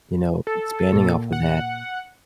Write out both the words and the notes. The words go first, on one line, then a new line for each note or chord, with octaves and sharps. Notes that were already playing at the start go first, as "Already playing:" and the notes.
you know, expanding off of that,
A4
A#2
F#5